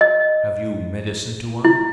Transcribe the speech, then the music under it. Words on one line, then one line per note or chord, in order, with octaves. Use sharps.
"Have you medicine, Tuan?"
D#5
E4